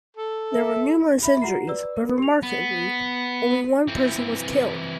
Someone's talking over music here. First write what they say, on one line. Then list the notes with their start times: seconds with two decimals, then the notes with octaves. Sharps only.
There were numerous injuries, but remarkably, only one person was killed.
0.17 A4
0.52 E5
1.23 E5 B5
1.42 F4 F#4 F#5 A#5 C7
1.67 B4 D5 E6
1.96 A#4
2.18 G4 F7
2.43 B3
3.88 E3 C4